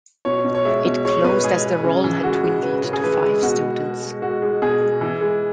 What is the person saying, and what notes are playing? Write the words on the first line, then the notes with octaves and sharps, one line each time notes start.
It closed as the roll had dwindled to five students.
B2 C#5
B2
C#5
G#3 E5
B2
G#3 C#5
B2 B4
G#3 G#4
G#3
C#3
E3
G#3 F#4
G#3
C#3 B4
C#3
G#4
E3 B4
G#3
B2 F#4
G#3
G#3
G#3
G#3 F#4
G#3
B2 G#4
G#3
E3
G#3